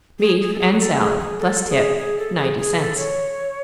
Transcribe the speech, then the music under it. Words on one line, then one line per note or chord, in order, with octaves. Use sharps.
Beef and salad, plus tip, ninety cents.
G#4
G#4
A4
G#4
G#4
A4
G#4
G#4
A4
G#4
G#4
A4
G#4
G#4
A4
C#5